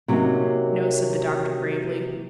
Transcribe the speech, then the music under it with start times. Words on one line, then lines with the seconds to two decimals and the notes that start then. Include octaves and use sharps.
"No," said the doctor gravely.
0.08 C3 F#3 G3 A#3 C#4 D#4